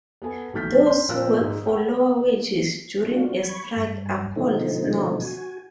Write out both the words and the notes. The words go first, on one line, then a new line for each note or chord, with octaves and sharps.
Those who work for lower wages during a strike are called snobs.
B3 A4 G#5
B1 D#3 A3 F6 G6 B6
C6
A#2 F3 A#4 E6 F#6
G#2 G#3 D#5
A#4 F#5 G5 B5
D4 F4 F#4
B5 C#6 G#6
G2
B2 D3 F3 A3 C4 D#4
F#4 G#5